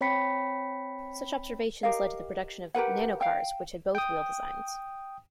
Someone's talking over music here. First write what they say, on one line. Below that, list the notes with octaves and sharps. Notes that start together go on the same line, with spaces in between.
Such observations led to the production of nanocars which had both wheel designs.
C4 C#5 G5 B5 B6 C#7
G4 A#4 D#5 F5
G4 A#4 B4 F#5
F5 G5
G5 D#6